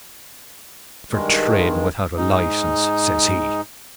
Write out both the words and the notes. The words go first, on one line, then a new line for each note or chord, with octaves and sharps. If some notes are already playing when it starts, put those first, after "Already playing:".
For trading without a licence, says he.
G2 D#3 G#3
G#2 D#4